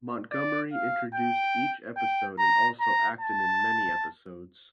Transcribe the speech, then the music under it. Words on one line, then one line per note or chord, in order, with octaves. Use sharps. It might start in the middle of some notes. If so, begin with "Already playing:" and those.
Montgomery introduced each episode and also acted in many episodes.
D5
F5
G5
G5
A#5
A#5
A5